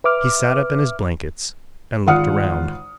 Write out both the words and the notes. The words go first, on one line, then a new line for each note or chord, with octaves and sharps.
He sat up in his blankets and looked around.
B4 E5 D6 F6
G#1 F4 F#5 D#6 F6 C#7